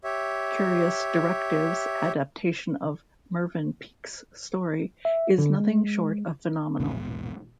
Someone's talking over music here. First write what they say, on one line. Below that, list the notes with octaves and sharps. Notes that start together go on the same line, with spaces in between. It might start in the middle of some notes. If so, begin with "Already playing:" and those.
Curious Directive's adaptation of Mervyn Peake's story is nothing short of phenomenal.
G4 C#5 E5
E5
D3
G#3
A#1 E2 G#2 B2